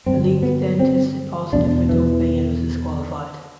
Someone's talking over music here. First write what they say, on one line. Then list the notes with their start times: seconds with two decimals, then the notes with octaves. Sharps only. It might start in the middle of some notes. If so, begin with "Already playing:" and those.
Malik then tested positive for doping and was disqualified.
0.06 G2 D3 C4
0.43 B3
0.79 C4
1.53 E2 B2 D4
1.89 E3